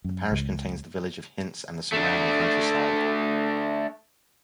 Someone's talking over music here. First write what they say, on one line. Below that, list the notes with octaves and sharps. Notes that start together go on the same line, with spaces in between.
The parish contains the village of Hints and the surrounding countryside.
F#2
C#2
A3 D4